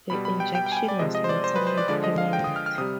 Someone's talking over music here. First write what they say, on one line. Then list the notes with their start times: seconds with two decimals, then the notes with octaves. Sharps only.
The injunction was later made permanent.
0.10 B2 G3 B5
0.25 B5
0.40 G5
0.55 G5
0.66 G5
0.72 G#5
0.77 G5
0.88 D5
0.99 C3 F3 G#3 D#5
1.15 D#5
1.24 C5
1.29 D5
1.44 C5
1.56 B4
1.67 C5
1.77 D5
1.88 D3 F3 G#3 D5
2.04 D#5
2.18 F5
2.33 G5
2.44 D#6
2.56 F6
2.66 F6
2.78 C3 D#6
2.81 G3